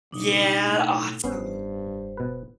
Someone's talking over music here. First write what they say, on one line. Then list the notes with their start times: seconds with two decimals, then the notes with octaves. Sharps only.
Yeah, awesome.
0.12 F#1 B2 D4 D#4
0.66 A2
1.24 F1 G2 B3 C#4 C5
2.17 B2 B4